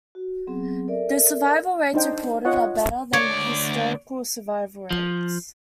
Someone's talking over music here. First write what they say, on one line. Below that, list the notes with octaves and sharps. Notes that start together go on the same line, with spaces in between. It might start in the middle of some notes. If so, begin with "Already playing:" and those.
The survival rates reported are better than historical survival rates.
F#4
F#3 B3 C4 G#4
A4 A#4 D5 E5
D4 D#4 C5 G5
F4 C#5 D#5 F#5
D2 C#5 D5
F3